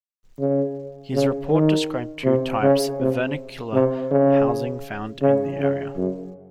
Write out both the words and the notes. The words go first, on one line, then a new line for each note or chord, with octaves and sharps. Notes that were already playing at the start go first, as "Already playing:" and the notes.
His report described two types of vernacular housing found in the area.
C#3
C#3
D#3
C3
C#3
C3
C3
C#3
C#3
C#3
F#2